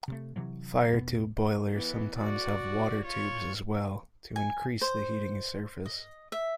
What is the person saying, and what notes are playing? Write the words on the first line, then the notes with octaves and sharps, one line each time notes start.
Fire-tube boilers sometimes have water-tubes as well, to increase the heating surface.
C3 A3
C3 E3 F#3
E1 B2 B3
E3 B3
F#4 D5
F4 C#5
G#5
C5
D#5
E5